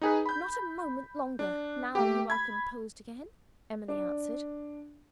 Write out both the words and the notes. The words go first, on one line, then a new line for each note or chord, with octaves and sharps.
"Not a moment longer, now you are composed again," Emily answered.
D#4 G#4 B4
B5 G6
D4
A3 G4
B5 G#6
D4